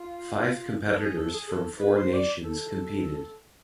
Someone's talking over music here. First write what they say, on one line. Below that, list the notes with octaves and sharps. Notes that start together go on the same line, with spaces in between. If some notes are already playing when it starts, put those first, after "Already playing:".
Five competitors from four nations competed.
Already playing: F4
A4
G#4
A4
G#4
A4
B4
C5
D5
A4